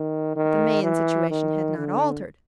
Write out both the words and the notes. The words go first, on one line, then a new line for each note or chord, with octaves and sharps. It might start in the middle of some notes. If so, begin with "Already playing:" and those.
But the main situation had not altered.
Already playing: D#3
D#3
E3
D#3
D3